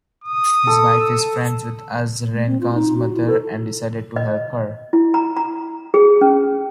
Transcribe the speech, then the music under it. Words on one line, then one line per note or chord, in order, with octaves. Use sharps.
His wife is friends with Azarenka's mother and decided to help her.
D#6
A4
E6
A3
C4
F4
D#4
F#4
E4
A4
D#5
E4
A#5
A#5
G#4
C#4